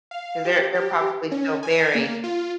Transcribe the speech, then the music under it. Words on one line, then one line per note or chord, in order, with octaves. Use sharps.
'Cause they're they're probably still very
F5
G4
G4
C#4
G#5
A#3
F4